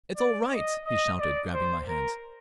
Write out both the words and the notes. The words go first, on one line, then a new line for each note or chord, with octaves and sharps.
"It's all right!" he shouted, grabbing my hands.
D5
D#5
D#5
D5
C5
A#4